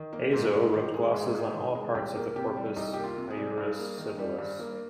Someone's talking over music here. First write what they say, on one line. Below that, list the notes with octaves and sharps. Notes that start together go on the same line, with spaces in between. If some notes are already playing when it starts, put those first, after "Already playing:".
Azo wrote glosses on all parts of the Corpus Iuris Civilis.
Already playing: D#3
A#3
G#2 C5
G#2 D5
D#3 C5
G#3 G#4
G#2
G#2
D#3
G#3
C2 G4
A#3
C3 G4
G3
C2 D#4
A#3 G4
F4
C3
G#4
G3
G2
A#3
D#3
G3
G2
A#3